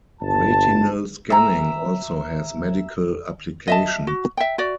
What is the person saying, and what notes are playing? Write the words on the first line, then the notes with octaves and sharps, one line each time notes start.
Retinal scanning also has medical application.
G1 A5
E5 A#5
D#5 E5 A5
F#4
E5 G5
F#4 D5